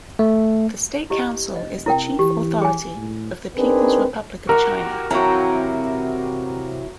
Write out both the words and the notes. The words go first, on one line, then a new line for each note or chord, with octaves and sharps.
The State Council is the chief authority of the People's Republic of China.
A3
E4 G4 D#5
F1 D#5
C3 E4 A#4 G5
E3 G4
G#4 G#5
A2
C4 D4 D#4 G#4 A#4 B4
F#4 G4 A#4
C3 E3 F#3 E4 F#4 F5 G5 A#5